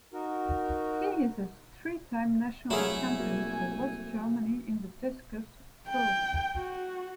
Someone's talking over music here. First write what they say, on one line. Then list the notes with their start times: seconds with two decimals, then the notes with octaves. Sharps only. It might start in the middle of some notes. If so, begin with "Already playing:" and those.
He is a three-time national champion for West Germany in the discus throw.
0.13 D#4 F#4 A#4
2.70 C2 F#3 A3 E4 G#4 F5 G#5
3.19 A#3 F#4
5.89 G5
6.56 F#4